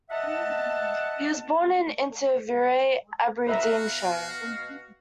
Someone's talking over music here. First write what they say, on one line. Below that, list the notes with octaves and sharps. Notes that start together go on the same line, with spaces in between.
He was born in Inverurie, Aberdeenshire.
D#5 E5 F#5 A5
B2 F#4 B4 E5 F5 A#5